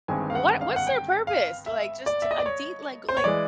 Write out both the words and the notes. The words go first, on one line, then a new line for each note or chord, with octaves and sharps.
W What what's their purpose, like, just a det like like
G1 G2 D#3 G#3 C4 G#5
F5
F#5
F5
F#5
G5
F5
E5
D5
E5
D#5
D5
C#5
C5
C#5
E3 G#3 D5